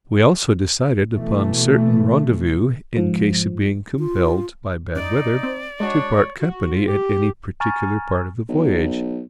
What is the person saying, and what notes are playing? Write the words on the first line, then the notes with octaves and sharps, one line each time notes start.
We also decided upon certain rendezvous in case of being compelled, by bad weather, to part company at any particular part of the voyage.
B2 E3 A3
G#2 F3
F4
F#2 D#4 D5
C4
G#3 D4 F#4 C#5
F#4
F4
G4
G#5 A#5 C#6 F6 A6
B1